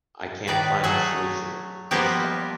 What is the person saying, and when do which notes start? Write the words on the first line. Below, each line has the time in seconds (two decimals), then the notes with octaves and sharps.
I can’t find a solution, Kristap.
0.47 A2 D#3 B4 D5
0.84 F#3 A3 G#4
1.91 F3 G3 A#3 B3 G4